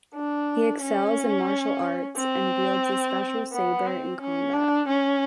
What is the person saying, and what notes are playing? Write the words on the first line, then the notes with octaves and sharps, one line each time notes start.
He excels in martial arts and wields a special saber in combat.
D4
C#4
C4
B3
C4
C#4
D4
C#4